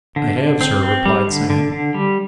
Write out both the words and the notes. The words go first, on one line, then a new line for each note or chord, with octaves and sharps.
'I have, Sir,' replied Sam.
D3
D3
C4
C4
G3
D3
D3
D3
G3